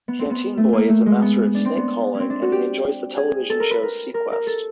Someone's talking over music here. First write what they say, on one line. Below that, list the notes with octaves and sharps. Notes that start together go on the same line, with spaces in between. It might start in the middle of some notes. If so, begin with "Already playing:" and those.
Canteen Boy is a master at snake-calling, and he enjoys the television show "Seaquest".
B3
C4
B3
A3
A#3
A3
G#3
B3
D4
C4
B3
C#4
C4
D4
F#4
G4
G#4
A4
A#4
B4
A#4
A#4
A#4
A4